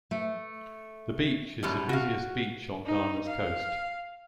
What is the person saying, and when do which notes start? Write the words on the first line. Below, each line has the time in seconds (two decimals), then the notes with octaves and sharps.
The beach is the busiest beach on Ghana's coast.
0.11 A3
1.63 F#2 B2 G3
1.89 F#4 F5
2.86 D#4
3.28 F5